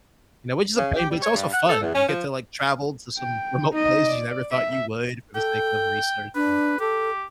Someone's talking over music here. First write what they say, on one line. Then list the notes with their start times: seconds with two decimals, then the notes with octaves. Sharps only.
you know, which is a pain, but it's also fun, you get to, like, travel to some remote places you never thought you would for the sake of research and
0.76 C#3
0.96 G4
1.10 G3
1.22 C#5
1.35 G2
1.53 F#5
1.69 A4
1.81 E2
1.94 C#4
2.09 F3
3.18 G5
3.72 D#4 D#5
4.07 D5
4.52 E5
5.35 A4 G5
6.35 D4 B4
6.80 G4 A4